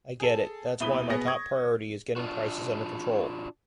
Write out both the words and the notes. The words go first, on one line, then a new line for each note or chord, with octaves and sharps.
I get it. That’s why my top priority is getting prices under control.
G#4 A4
D#1 B2 E4 B5 D#7 G7
B2 B3 G#4 A#6
C#6 D#6 G#6
D4 F4 F#4